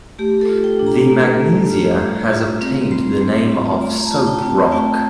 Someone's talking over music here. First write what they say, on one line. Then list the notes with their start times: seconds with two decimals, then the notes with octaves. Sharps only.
The magnesia has obtained the name of soap-rock.
0.19 A3 G4
0.41 A4
0.49 F4
0.64 G5
0.79 D4
0.87 A#5
1.10 A3
1.40 A3
1.70 F4
2.00 G3
2.30 F4
2.61 C4
2.91 G3 C6
3.21 G3
3.51 F4
3.82 A3 A#5
4.05 A5
4.12 F4
4.27 G5
4.42 C4
4.50 A5
4.72 A3 G5